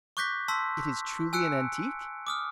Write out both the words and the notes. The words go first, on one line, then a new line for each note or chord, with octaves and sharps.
"It is truly an antique?"
C#6 D6 F#6 G6 A#6 B6
A5 C6 E6 B6
G#5 E6 F#6 C#7 D7
D6 D#6 F6